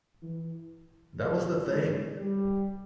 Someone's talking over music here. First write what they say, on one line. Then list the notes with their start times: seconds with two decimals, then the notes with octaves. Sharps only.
That was the thing.
0.22 E3
1.21 F3
1.70 G#3
2.18 G3